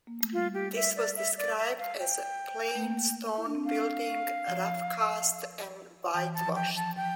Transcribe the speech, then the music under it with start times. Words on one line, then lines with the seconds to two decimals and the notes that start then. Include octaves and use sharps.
This was described as "a plain stone building rough cast and whitewashed".
0.07 A#3
0.21 A3
0.33 G3 F4
0.54 G4
0.76 E5
0.96 D5
1.16 E5
1.38 D5
1.58 E5
1.79 F5
1.99 G5
2.75 A3
2.83 A#3
3.38 E4
3.46 D4
3.55 C4
3.64 D4 F5
4.48 F3
6.14 E3 G5
6.34 A5
6.42 F3
6.55 G5
6.70 F3
6.77 A5
6.97 F3 G5